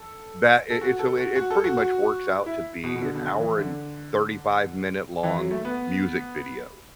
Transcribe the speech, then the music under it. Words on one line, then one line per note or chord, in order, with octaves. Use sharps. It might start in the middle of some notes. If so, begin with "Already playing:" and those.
that it it's a way it pretty much works out to be an hour and thirty-five-minute-long music video.
Already playing: A4
A4
F#4
A4
F#4
F#4
A4
F#4
F#4
E4
B2
B2
D3
B2
D3
E3
D3
E3
F#3
A3
B3